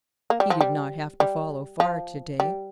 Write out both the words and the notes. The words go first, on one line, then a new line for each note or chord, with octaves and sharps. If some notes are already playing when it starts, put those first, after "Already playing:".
He did not have to follow far to-day.
A#3
G3
F3
G3
G3
F3
G3